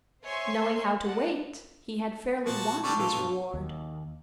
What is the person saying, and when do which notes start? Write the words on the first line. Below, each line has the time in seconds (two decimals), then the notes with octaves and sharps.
Knowing how to wait, he had fairly won his reward.
0.24 C5 C#5 E5 G#5 C6 C#6
1.04 D5 D#5 F#5 A5
2.46 A#2 F3 F#4 A5
2.84 D3 G3 D5 A5 C#6
2.98 A#2 E3 F3 F4 A4
3.13 G2 B2
3.54 D#2